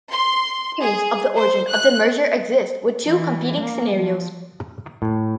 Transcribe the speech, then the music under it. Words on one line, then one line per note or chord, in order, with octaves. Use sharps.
Theories of the origin of the merger exist, with two competing scenarios.
C6
G#4
C5
F#6
E3
A#3
F3
A2